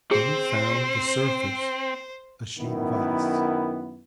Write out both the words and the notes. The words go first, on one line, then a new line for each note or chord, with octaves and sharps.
Then he found the surface a sheet of ice.
C4 G#4 C5
F#2 D#3 B3 E4